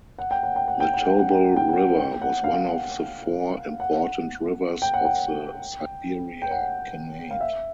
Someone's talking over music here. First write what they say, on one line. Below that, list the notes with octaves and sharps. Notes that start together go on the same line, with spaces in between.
The Tobol River was one of the four important rivers of the Siberia Khanate.
F#5
G5
F#5
G5
F#5
G5
F#5
G5
F#5
G5
F#5
G5
F#5
G5
F#5
F5
F#5
F#5
G5
F#5
G5
G5
F#5
F5
E5